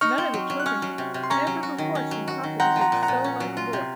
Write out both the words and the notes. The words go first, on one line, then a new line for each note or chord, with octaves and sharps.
None of the children had ever before seen Papa behave so like a boy.
D#4 C#6 F6
C4
F#3
F#3
F#6
C#4 C#6 F6
F#3
C3
C3
C6
C#4 A#5 C#6
F#3
F#4
D#3
C#4
F#3
F#4
D#3
C4 F#5 A#5
F3
F#5 A#5
A#2
F#5 A#5
A#2
C#4
F#3
F4
C3